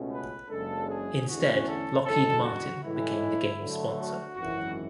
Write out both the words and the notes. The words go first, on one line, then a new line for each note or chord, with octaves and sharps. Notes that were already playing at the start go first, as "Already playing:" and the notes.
Instead, Lockheed Martin became the game's sponsor.
Already playing: C#2 B2 A3 C#4
B4
F#1 F#2 C#3 G#3 D4 A4
G#4
E2 D3 A3 C#4 F#4
A4
F#1 E2 D3 G#3 A4
F#4
A2 E3 G#3 E4
D2 D3 F#3 A3
F#4
G#1 F#2 E3 F#4